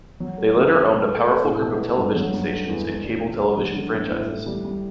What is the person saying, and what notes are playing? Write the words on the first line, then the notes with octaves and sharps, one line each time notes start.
They later owned a powerful group of television stations and cable television franchises.
F#3
A3
C#3
F#3
B2
A3
A3
A2
B2
A3
G2
F#3
G2
A3
E2
E2
D4
B2
B1
F#3
D3
G1
A2
A2
G3
G3